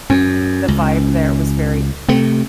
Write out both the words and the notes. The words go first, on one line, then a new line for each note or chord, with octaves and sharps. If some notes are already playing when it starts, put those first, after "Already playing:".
The vibe there was very
F#2 C#4
C#2
C3 A3 C4